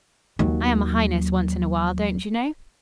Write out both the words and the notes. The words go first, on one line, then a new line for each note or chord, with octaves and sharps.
"I am a highness once in a while, don't you know?"
D#2 F#3